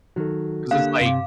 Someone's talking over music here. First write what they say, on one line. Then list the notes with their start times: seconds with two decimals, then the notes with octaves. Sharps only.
'cause it's like
0.16 D#3 F#3 F#4 A4
0.71 D3 A#3 G4 F5 F#6
1.01 G2 C3 D6